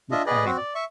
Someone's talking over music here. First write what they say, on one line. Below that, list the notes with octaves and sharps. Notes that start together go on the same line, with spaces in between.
Yeah, I don't mean
D4 F4 D#5 E5
G#4 B4 D5 D#5
C4 F#4
D5
E5 C#6